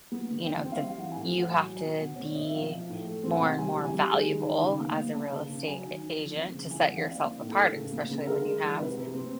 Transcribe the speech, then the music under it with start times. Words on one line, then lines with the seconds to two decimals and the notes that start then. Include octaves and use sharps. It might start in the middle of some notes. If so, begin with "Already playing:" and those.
you know, the you have to be more and more valuable as a real estate a agent to set yourself apart, especially when you have
0.12 B3
0.29 D3
0.46 E3 G5
0.63 C4
0.72 F5
0.81 G3
0.98 E3 F#5
1.12 G#5
1.15 A2
1.33 E3 F#5
1.50 F#3 G#5
1.67 F#3
1.76 G#5
1.85 B2
2.02 B2 F#5
2.16 C4 C#5
2.25 D5
2.35 B2 D#5
2.45 E5
2.54 F3 F5
2.72 F3
2.89 A2
3.06 A3
3.23 C4
3.32 F#5
3.41 C3
3.58 G3 G#5
3.76 E3
3.84 G#5
3.93 G3
4.11 G#3
4.28 D#3
4.45 D#3
4.63 C#3
4.80 B3
4.97 B3
5.15 A#3 A5
5.32 C#3
5.49 C#3
5.67 F#3 G#5
5.85 D#3
6.01 D#3
6.19 F3
6.36 C4
6.54 C#3
6.70 E3 G#5
6.84 F#5
6.88 E3
6.97 F5
7.06 C4 D5
7.23 A#3
7.40 A2
7.49 A4
7.58 A2
7.75 C#3
7.93 B3
8.10 C#3
8.19 A4
8.27 G#3 A#4
8.44 G#3
8.62 E3
8.79 C3 B4
8.97 C3
9.14 C4